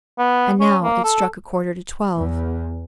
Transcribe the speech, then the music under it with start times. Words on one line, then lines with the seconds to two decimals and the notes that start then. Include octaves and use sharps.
And now, it struck a quarter to twelve.
0.18 B3
0.60 C#4
0.83 A#3
1.04 A4
2.16 E2